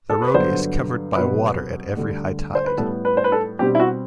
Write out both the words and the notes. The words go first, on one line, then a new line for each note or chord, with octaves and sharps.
The road is covered by water at every high tide.
A4
B4
G2 D3 F#3 B3 C5
C2 B2 F#3 B4
D2 D3 G3
C5
B4
A2 G3 B3 A4
B4
C5
B4
A4
B2 G3 C4 G4
E4
F#4